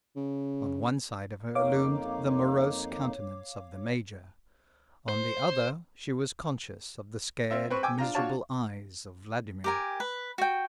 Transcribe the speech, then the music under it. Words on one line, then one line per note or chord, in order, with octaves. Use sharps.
On one side of her loomed the morose countenance of the Major, on the other she was conscious of the scared, miserable eyes of Vladimir.
C#3
F2 A#3 D#4 C#5 F5 D6
C5
C4 F4 E5
C4 B4 C#6
G5 G#5 D6 E6
D4 F4 A#5
D4 F4 F#4 C#5 A5
G4 A#4 G#5
B4
F#4 G5